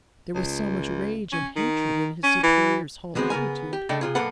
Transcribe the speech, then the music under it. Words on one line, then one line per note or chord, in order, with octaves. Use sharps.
There was so much rage and hatred in his superior's whole attitude.
C#2
C#4
D#3
C#4
E3
D3 G#3 B3 C4 F#4
C#3 B3 A#4 G#5
G4
C#3 A3 D4 D#5 G5
C3 F4 G#4
B1 G2 A#3 A4 B4 F#5